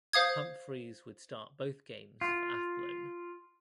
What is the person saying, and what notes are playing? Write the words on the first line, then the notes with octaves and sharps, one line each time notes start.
Humphries would start both games for Athlone.
C5 F5 D#6 G#6
F4